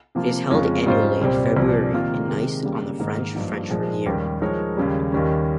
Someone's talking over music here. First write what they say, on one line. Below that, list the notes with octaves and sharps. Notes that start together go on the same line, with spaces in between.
It is held annually in February in Nice on the French Riviera.
C3 F3 A#3 F4
F2 C#3 G#3 C#4 F4
G#2 G3 C#4 F4 C5
C2 A#2 G3 C4
C2 A#2 F3
C3 D#3 A#3 F4 A#4
C3 D#3 G#3
C#3 G3 A#3
G#2 D#3 A#3 D#4 A#4
G2 F3 A#3 D#4
A#2 F3 G#3
D#2 D#3 G3 C#4 G4
F3 G#3 D#4 A#4 C#5
D#2 C#3 G3
D#2 D#3 G3 C#4